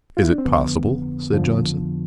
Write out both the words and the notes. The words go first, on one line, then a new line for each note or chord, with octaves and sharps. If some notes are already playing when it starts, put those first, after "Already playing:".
"Is it possible?" said Johnson.
F4
E4
D4
C4
F2 D3 F3 B3
F2 D3 F3